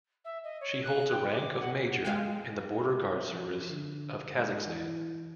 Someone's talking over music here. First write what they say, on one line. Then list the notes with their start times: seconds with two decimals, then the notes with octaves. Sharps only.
She holds a rank of Major in the Border Guard Service of Kazakhstan.
0.24 E5
0.44 D#5
0.61 C#5
0.83 F#6
1.11 G5
1.33 D6
1.59 F#5
2.05 G#3 F5 G5
3.32 F3
3.70 D3
4.33 G#2
4.67 E3